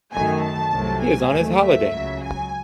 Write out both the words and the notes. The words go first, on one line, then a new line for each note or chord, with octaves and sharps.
He is on his holiday.
F#2 D#3 A3 G#5
A5
C2 C3 F#3 A3
G#5
D#2 D#3 F#3 A3
E5
C#2 C#3 F#3
G#5